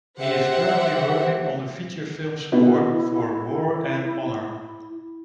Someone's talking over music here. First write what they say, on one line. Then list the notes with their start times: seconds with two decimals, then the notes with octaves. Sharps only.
He is currently working on the feature film score for War and Honor.
0.18 G4 C5 E5 F#5
2.52 B2 E4